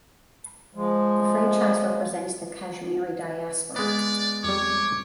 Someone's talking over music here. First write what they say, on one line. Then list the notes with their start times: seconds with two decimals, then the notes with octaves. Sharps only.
The franchise represents the Kashmiri diaspora.
0.75 F3 G#3
3.76 G#3 B3 D5
4.44 F2 G3 C#5 D6